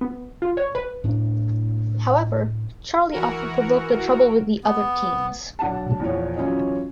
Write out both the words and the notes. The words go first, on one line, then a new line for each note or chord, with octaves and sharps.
However, Charlie often provoked the trouble with the other teens.
B3
F4
C#5
B4
A2 D4
E3 F#4 A#4
B3
B1 D4 F#5 A5
E2 A#2 F3 C#5
E3 F#3 C#4 F4 C#5 D#5